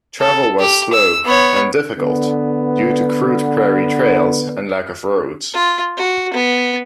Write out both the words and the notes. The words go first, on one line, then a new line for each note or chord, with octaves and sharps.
Travel was slow and difficult due to crude prairie trails and lack of roads.
A4
G4
E6
B3 C#5
D3 B3
F4
F#4
B3